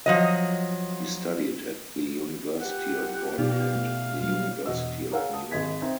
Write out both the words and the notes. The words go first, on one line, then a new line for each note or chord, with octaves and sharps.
He studied at the University of Bonn and the University of Munich.
F3 F#3 D#5
F4 G4 F#5
A4 A#4
B2 B3 D#4 D5 F5
A3
F#3 G3 F5
E1 F#4 D#5 E6
G#4 A#4 C#5 F5 F#5 E6
A5 D#6
G#1 G#4 D#5 G#6 B6
C4 D#4 E5